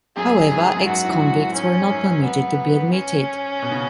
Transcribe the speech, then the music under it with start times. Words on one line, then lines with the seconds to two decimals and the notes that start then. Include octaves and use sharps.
However, ex-convicts were not permitted to be admitted.
0.16 F#2 G#4
0.51 G#2
0.76 F#2
0.85 G#2 F#4
1.03 A2
1.09 G#2
1.32 F#2
1.55 G#2 C#4
1.85 F#2
1.90 G#2
2.23 B3
2.93 C#4
3.62 B2
3.71 C#3